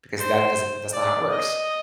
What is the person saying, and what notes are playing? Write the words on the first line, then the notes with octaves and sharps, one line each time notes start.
because that doesn't that's not how it works.
C5
D5
D#5